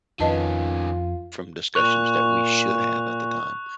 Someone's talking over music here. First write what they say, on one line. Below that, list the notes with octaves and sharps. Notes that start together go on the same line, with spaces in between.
from discussions that we should have at the time
F2 D#3 C#4 F4 B4 D#5 A5
A#2 C#6 F#6 F7